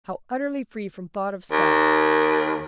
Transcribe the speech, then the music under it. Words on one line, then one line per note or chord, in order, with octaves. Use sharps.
How utterly free from thought of self!
D#2